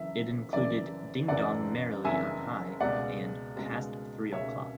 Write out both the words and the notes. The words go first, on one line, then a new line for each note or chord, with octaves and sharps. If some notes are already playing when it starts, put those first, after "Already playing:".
It included "Ding Dong Merrily on High" and "Past Three O'Clock".
Already playing: F#1 F#2 E3 E5
F#1 F#2 E3 D5
F#1 F#2 E3 D5 F#5
F#1 F#2 E3 E5 G#5
C#2 B2 G#3 D5 F#5
C#2 B2 G#3
C#2 B2 G#3 C#5 E5